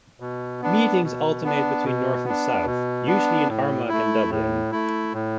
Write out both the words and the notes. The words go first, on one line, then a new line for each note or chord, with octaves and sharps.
Meetings alternate between north and south, usually in Armagh and Dublin.
B2
B3 D4
B2
B3 D4
B2
B3 D4
B2
B3 D4
A2
A3 E4
A2
A3 E4
A2